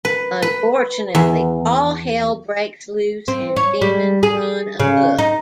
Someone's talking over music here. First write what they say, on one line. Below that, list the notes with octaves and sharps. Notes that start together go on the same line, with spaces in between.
Unfortunately, all hell breaks loose and demons run amok.
B4
B4
E2
C4
C#5
G3
G#4
C#3
D#4